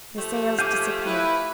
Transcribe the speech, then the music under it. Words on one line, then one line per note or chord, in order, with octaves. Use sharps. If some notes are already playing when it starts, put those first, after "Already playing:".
The sails disappeared.
F3 A3 G4
F5 G#5 D6 G6
E4 B4